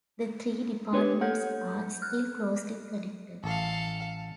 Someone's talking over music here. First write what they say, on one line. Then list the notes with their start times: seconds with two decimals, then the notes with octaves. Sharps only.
The three departments are still closely connected.
0.93 B3 D4 G4 B4 C#5
1.21 A4 C#5 F#5 G6
2.02 F6 F#6
3.44 A1 A4 F5